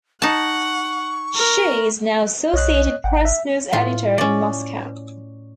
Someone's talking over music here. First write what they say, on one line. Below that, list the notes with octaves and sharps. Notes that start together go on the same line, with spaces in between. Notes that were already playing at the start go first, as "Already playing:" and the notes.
She is now Associated Press news editor in Moscow.
D#4 F#5 A5 C#6
A#4
B1 C#5 D#5 F#6
G#1 F#5 G5
E5
A2 F4
C#4 D5